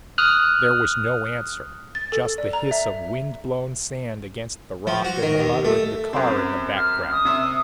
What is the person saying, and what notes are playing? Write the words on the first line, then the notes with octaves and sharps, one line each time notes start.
There was no answer--just the hiss of wind-blown sand against the rock and the mutter of the car in the background.
D#6 F6 F#6
A6
A4
D5
A#5
E5
F3
F#4
D#3
D#2
A3
F#2 C4
F6
D#6
C3 E5